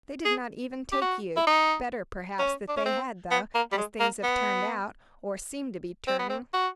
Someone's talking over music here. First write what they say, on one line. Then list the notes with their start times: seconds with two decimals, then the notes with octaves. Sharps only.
They did not even take you; better, perhaps that they had though, as things have turned out, or seem to be turning.
0.25 G#4
0.92 G4
1.01 F#4
1.37 E4
1.47 D#4
2.39 C#4
2.68 D4
2.77 C#4
2.86 C4
3.31 B3
3.55 A#3
3.72 G3
3.77 G#3
4.00 A#3
4.23 B3
6.07 C4
6.19 B3
6.29 C4
6.53 F#4